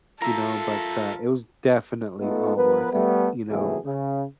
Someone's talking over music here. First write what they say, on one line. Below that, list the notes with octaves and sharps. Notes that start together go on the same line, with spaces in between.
you know, but, uh, it was definitely all worth it, you know.
F4 A4 A#4 E5 A#5
A3 B3 D#4 F4 A4
F3 B3 A#4 B4
G3 A3 B3
D#2 C3 E3 F#3 A3 G#4
C#3